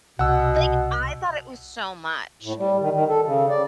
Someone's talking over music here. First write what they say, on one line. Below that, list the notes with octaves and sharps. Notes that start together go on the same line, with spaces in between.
Like, I thought it was so much,
C2 B2 F#5 E6
A2
G3
D#3
D#3
A4
C#3
D5